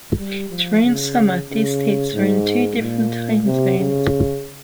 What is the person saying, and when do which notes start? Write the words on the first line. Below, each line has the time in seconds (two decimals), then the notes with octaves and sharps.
During summer these states are in two different time zones.
0.17 G3
0.49 F3
0.83 C#3
1.49 C#3
2.14 G#2
2.80 A#2
3.46 C3
3.79 C#3